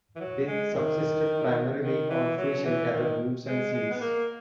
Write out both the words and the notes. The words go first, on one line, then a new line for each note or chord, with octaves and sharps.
They subsisted primarily on fish and gathered roots and seeds.
E3
F#3
G#3
D#3
D#3
E3
F#3
E3
D#3
G#3
G#3
B3
A#3